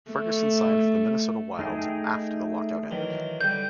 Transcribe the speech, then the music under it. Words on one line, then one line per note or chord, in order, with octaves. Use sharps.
Ferguson signed for the Minnesota Wild after the lockout ended.
A3
A3 D#4 G#4 G5
D#3 E3 F#3
D3 G3 G6